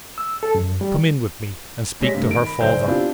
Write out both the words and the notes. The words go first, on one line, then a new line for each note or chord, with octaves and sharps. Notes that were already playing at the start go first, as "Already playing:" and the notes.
'Come in with me, and speak to her father.'
E6
A4
F#2
G3
G3 G#3 C#5 A#6 B6
G2 C3 A3
D#3 D7
B5
F#1 B1 C5 D5 G6
B3 C4 D4 E4 F4 G4